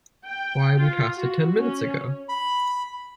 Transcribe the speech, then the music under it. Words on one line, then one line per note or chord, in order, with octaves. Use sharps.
Why, we passed it ten minutes ago!
G5
F4
F#4
C#4
B5